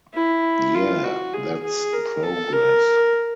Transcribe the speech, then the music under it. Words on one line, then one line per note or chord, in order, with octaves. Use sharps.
Yeah, that's progress.'.
E4
F4
F#4
G#4
G#4
A#4
A4
A#4